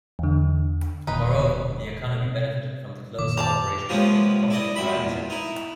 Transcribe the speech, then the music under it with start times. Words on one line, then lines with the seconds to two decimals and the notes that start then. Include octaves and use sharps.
Moreover, the economy benefited from the close cooperation between the public and private sectors.
0.19 E2 D3
1.07 E1 A#2 D#3 D#4 B4
2.24 C3
3.19 F#2 A#2 D#3 D6
3.37 C5 D5 A5 F7
3.89 C3 F3 G#3 A#3 B3 C#4
4.50 E4 D5 D#5
4.76 C2 F#2 C4 E5 B5
4.92 E2 A#2
5.30 D#4 E4